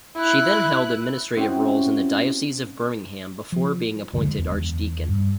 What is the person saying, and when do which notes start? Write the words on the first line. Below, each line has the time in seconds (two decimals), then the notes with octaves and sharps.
She then held administrative roles in the Diocese of Birmingham before being appointed archdeacon.
0.16 E4 F#6
1.36 C4 C#4 D#4 E4 F#4 G4
3.52 F3
4.13 F#1 D2 D3 G#3
4.38 E2
5.09 G2